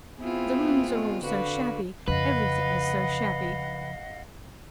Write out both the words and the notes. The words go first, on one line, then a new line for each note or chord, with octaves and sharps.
The rooms are all so shabby--everything is so shabby.
B3 C4 E4 F4 G#4
G#3 A3
D3 F#4 B4 F5
F2 C#3 B4 D#5 F5 F#5